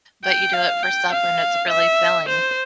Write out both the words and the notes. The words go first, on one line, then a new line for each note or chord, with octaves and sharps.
but you do it for supper and it's really filling.
G5
F5
G5
F5
E5
C5